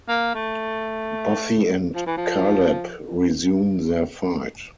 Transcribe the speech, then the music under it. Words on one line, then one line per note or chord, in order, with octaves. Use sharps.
Buffy and Caleb resume their fight.
A#3
A3
F3
E3
F3